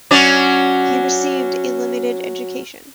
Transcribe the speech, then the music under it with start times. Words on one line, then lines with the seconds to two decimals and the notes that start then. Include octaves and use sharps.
He received a limited education.
0.11 F#3 C#4 D5